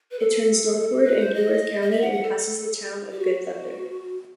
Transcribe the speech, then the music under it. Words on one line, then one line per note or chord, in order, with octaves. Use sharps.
It turns northward in Blue Earth County and passes the town of Good Thunder.
B4
A4
B4
C5
D#5
D#5
E5
F#5
F#5
A4
G4
F#4